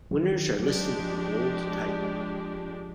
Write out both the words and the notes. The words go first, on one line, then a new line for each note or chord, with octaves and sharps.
Winners are listed in bold type.
D#3 F#3
F#3 G#3 D4 G4
F3